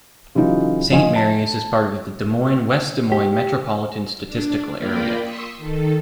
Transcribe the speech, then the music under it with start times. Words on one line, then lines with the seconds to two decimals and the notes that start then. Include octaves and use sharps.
Saint Marys is part of the Des Moines-West Des Moines Metropolitan Statistical Area.
0.35 C#3 E3 F#3 D#4 F4
0.92 F3 D#5 G#5
1.16 A5
3.12 G4
4.27 D4
4.76 A#3 F4 A#4 D5 G5 B5
5.22 C6 C#6 D#6 E6 B6 C#7
5.58 D#3 A4